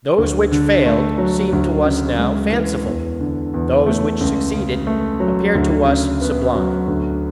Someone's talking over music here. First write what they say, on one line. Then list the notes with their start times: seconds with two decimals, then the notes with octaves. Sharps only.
Those which failed seem to us now fanciful, those which succeeded appear to us sublime.
0.18 D2
0.52 D3
0.86 A3
1.18 F#3
1.53 D2
1.85 C#3
2.19 G#3
2.52 E3
2.86 E2
3.20 D3
3.54 E2
3.86 A3
4.21 C#2
4.54 C#3
4.87 A3
5.20 F#3
5.55 D2
5.88 C#3
6.21 B3
6.55 F#3
6.88 D2